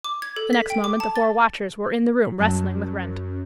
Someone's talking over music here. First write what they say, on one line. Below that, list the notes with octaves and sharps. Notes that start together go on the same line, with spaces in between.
The next moment the four watchers were in the room wrestling with Wrent.
D6
G#6
A4
B6
G5
D6
A5
A6
F#2 F#3 D#5 A5